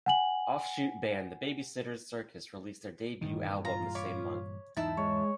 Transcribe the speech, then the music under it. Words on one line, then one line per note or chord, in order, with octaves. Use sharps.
Offshoot band The Babysitters Circus released their debut album the same month.
F#5 G#5 F#7
G2 A#2 D#3 E3
F4 A#5
C#5 B5 D6
E2 G#2 D#4 E4 A5
G#3 C#5